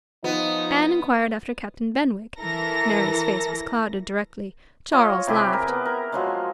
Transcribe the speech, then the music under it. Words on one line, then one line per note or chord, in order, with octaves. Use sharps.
Anne enquired after Captain Benwick, Mary's face was clouded directly. Charles laughed.
F3 B3 D#4
E3 A4 A#4 A#6
F4 G#4 C#5 D#5
C3 E4 G4 G#4
A#4
B3
A#4
F3 F#3 G#3